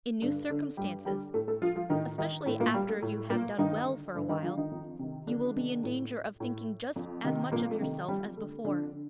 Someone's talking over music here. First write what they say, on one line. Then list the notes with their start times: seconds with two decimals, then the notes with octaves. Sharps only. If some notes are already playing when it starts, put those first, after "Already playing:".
In new circumstances, especially after you have done well for a while, you will be in danger of thinking just as much of yourself as before.
0.22 G2 D3 D4
0.49 D3 D4
0.77 G2 G3 G4
1.05 D3 G3 G4
1.34 A2 A3 A4
1.48 A3 A4
1.62 F3 F4
1.76 F3 F4
1.90 A2 D#3 D#4
2.18 D#3 D#4
2.46 A2 A3
2.60 A#2 A#3
2.74 G3
2.89 A3
3.02 A2 A3
3.30 A#2 A#3
3.58 G2 D#3 D#4
3.87 D3
4.14 G2 D3 D4
4.29 D#3 D#4
4.43 D3 F3 F4
4.57 D#3 D#4
4.71 F2
4.99 C3 D#3
5.27 F2 D3 D4
5.56 C3 D#3
5.84 A2
6.40 A2
6.96 F2
7.24 C3 D#3
7.52 F2 A#2 A#3
7.71 A3
7.80 C3 D#3
8.08 F2 G3
8.37 D3 A3
8.64 F2 D3 D4
8.92 D3